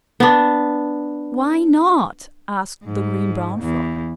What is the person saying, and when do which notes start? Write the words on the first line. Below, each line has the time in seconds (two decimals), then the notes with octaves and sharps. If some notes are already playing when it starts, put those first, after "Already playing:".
"Why not?" asked the Green Brown Frog.
0.20 B3 D4
2.84 G#2
3.60 E2